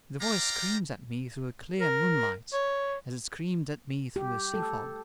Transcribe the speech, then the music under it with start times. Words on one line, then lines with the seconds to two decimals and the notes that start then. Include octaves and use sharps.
The voice screams at me through the clear moonlight, as it screamed at me through the sea-fog.
0.21 G4 D5 F5 G5 A#5
1.80 A#4
2.53 C#5
4.16 G4
4.54 A4